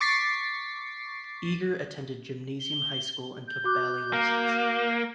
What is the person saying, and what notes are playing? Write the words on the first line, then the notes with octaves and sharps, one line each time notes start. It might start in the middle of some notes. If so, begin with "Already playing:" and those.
Eger attended gymnasium high school and took ballet lessons.
C#6 D6 A6 B6 C7
G7
G6
F#4 D6 F#6
A#3